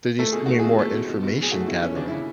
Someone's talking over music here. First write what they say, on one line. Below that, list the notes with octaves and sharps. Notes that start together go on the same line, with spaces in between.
Did you send me more information gathering.
A3 A4
B2 G#4
A3 F#4
B2 G#4
A3
B2
B2
B2
F#3 G#4
A3 F#4
B2 E4
B2 C#4
C#3 D4
C#3 E4